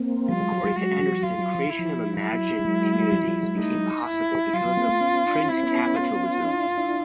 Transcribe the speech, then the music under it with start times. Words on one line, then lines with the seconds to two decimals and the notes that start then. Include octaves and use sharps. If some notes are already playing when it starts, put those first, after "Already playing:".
According to Anderson, creation of imagined communities became possible because of "print capitalism".
Already playing: A#3 C4
0.29 F3 G3 F4
0.40 F#3 G#3
0.52 F#3
0.64 F#3 G#3
0.76 F#3 G#3 F#4
0.99 F3 G3
1.23 F#3 F4
1.39 F#3
1.55 F3
1.70 E4
1.79 F3
2.17 F#3 E4
2.33 F#3
2.59 G3
2.65 F#3 G#3
3.12 F3 G3
3.27 F3 G3
3.43 F#3 G#3
3.59 G3 A3 D#4
3.75 F#3 G#3
4.06 E4
4.53 F#3 F4
4.65 F#3
4.77 A#3 C4
4.89 A3 B3
5.01 B3 C#4
5.24 D4
5.37 C#4
5.48 C4 E4
5.63 B3 C#4
5.96 F4
6.38 E4
6.42 C#4 D#4
6.54 D4 E4
6.77 D4 E4